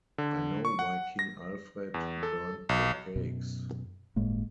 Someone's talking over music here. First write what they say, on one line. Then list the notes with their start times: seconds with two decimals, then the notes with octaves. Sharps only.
I know why King Alfred burned the cakes.
0.18 D3
0.65 C#6
0.79 F#5
1.19 A#6
1.94 E2
2.23 A4
2.69 B1
3.16 F#2 B2
4.16 G1 A2 G#3 A#3